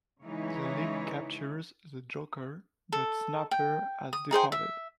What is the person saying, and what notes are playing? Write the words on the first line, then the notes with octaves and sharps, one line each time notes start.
The League captures the Joker, but Snapper has departed.
C#3 E3 G#3 D#4 E4 C#5
A4
G5
D#6
D#4 G#4 C5 G5
E5